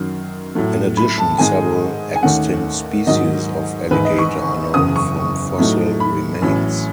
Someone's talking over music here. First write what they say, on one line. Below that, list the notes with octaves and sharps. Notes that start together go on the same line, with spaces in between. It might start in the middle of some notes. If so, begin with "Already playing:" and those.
In addition, several extinct species of alligator are known from fossil remains.
Already playing: F#2 D#3 F#3
A2 F#3 A3
B5
A5
G#2 D#3 G#3 D#4 G#5
G#5
D#2 D#3 A3 C#4 F#5
G#2 D#3 F#3 D#5
A1 G#2 D#3 B4
D#5
C#6
F#1 E2 C#3 D#6
C#6
A2 F#3 A3 D#4
B5
A1 A2 F#3 C#4